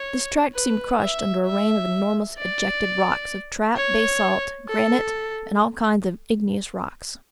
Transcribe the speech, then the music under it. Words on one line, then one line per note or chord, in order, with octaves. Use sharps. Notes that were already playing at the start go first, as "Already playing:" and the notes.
This tract seemed crushed under a rain of enormous ejected rocks of trap, basalt, granite, and all kinds of igneous rocks.
Already playing: C#5
B4
E5
E5
D5
C#5
A4